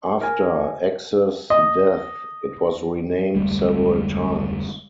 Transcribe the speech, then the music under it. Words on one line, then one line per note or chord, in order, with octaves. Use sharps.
After X's death it was renamed several times.
A#4 G#5
D#5
F1 D2 G3 G#3